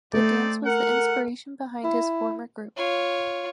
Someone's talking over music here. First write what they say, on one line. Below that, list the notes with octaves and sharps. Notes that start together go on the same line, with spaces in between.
The dance was the inspiration behind his former group.
A3 C4 D#4 D5
A#4 F#5
E4
F4 C#5